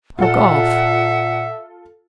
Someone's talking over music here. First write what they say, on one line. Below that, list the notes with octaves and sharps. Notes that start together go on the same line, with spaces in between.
Or golf?
A#2 F4 A4 E5 F#5